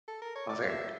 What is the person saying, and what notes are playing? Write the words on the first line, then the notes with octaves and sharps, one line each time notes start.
I was like
A4
A#4
C#5
D5
F5
E5